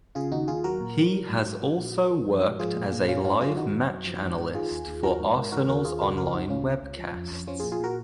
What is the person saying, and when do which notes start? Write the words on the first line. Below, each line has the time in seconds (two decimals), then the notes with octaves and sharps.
He has also worked as a live match analyst for Arsenal's online webcasts.
0.15 C#3 F4 G#4
0.32 D#2 D#4 F#4
0.48 D#2 F4 G#4
0.64 F#3 F#4 A#4
0.81 A#2
0.97 F#3
1.13 F#3
1.29 G#2
1.46 F#3
1.62 F#3
1.78 A#2
1.95 F#3
2.11 F3
2.27 G#2
2.43 G#2
2.59 F3 F4 G#4
2.76 A#2
2.92 A#2
3.08 F#3 C#4 F4
3.24 G#2 C#4 F4
3.40 F#3 F4 G#4
3.57 D#3 D#4 F#4
3.73 F#2
3.90 F#2
4.06 F3
4.23 G#2
4.38 G#2
4.54 D#3 F4 G#4
4.72 D#2
4.87 D#2
5.03 F3 F#4 A#4
5.20 G#2
5.36 G#2
5.52 D#3 F#4 A#4
5.68 D#2 F#4 A#4
5.84 D#2 F4 G#4
6.01 C#3 F#4 A#4
6.17 C#2 F#4 A#4
6.27 F4
6.33 C#2 D#4 F#4
6.50 C#3 C#4 F4
6.66 C#2
6.82 C#2
6.99 F3
7.15 F2
7.31 F2
7.47 F3 C#4 F4
7.60 F4 G#4
7.63 A#2
7.72 F4 G#4
7.80 A#2 F#4 A#4